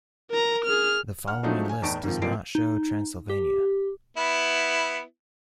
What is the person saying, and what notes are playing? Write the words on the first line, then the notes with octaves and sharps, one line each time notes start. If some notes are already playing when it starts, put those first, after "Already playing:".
The following list does not show Transylvania.
A#4 A#5
G#4 F6
F#5 F6
F3 F#3 A3 C4 D4 D#4
G#5
E2 A2 D#4 A5 C#6 D7
G#2 C3 D#3 F3
A1 C3 F3 A#3 C7 D7
D#4
G4
B3 E4